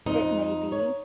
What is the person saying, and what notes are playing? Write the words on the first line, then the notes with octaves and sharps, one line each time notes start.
it may be,
F2 D#4 D#5
C#5